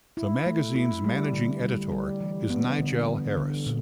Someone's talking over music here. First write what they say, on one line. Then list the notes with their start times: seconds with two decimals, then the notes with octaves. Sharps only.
The magazine's Managing Editor is Nigel Harris.
0.17 E4
0.46 A3
0.75 E4
1.04 G3
1.33 D3
1.62 G3
1.92 G3
2.21 E3
2.50 B3
2.79 D3
3.08 D3
3.37 D3
3.66 A#2